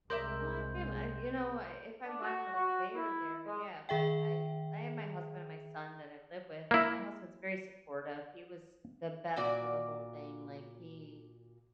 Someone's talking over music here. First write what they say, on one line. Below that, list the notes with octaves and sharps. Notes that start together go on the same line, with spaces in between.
Well, I have fam I've you know, I if I wanted 'em there, there, yeah, but I I have my husband and my son that I live with, and my husband's very supportive, he was the best through the whole thing, like, he
C2 C3 G#3 A#4 D5 E5 C6 G6
D4
F#4
F#4
E4
G#3
D#3 G#4 E5 G5
A#3 E4
A#2 F#4 D5